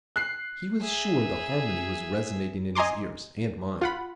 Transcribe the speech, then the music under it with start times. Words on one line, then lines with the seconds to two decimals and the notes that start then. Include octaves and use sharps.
He was sure the harmony was resonating in his ears and mine.
0.16 F#6 C7
0.81 G#4 E5
2.75 D#5 G#5 A#5 C6 D6
3.82 F4 F#5 B5